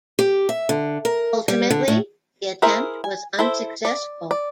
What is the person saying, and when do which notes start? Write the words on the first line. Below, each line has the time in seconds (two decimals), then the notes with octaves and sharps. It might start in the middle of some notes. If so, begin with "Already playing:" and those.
Ultimately, the attempt was unsuccessful.
0.19 G4
0.49 E5
0.69 D3
1.05 A#4
1.48 G3
1.70 D3
1.88 A2
2.62 E4 G#4 A#4 C5 E5
3.04 G#5
3.39 E4 A4 C5 E5
3.85 D5
4.31 D5